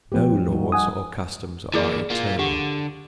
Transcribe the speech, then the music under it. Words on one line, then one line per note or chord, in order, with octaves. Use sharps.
No laws or customs are eternal.
C2 F3 B3 G4
G#2 G3 D#4 F#4
D#4 F#5 G#5 D#6
E3 A#3 E4 G#4 D5
A#3 F4
D3 G4 F#5